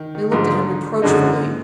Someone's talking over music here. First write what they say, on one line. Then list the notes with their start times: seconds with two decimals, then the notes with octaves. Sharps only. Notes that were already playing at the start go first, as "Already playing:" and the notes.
They looked at him reproachfully.
Already playing: D#3
0.15 D#3
0.32 G#2 D3 F3 G#3
1.02 F#2 A#2 D3 G#3 D#4
1.19 G#2
1.36 A#2